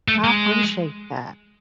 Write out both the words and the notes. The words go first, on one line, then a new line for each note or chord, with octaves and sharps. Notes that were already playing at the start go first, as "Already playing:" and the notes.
I appreciate that.
A3
G#3